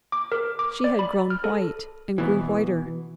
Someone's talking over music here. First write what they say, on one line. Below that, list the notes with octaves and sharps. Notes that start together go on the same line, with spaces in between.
She had grown white, and grew whiter.
D6
A#4
D6
D5
B5
F6
A4
B2 E3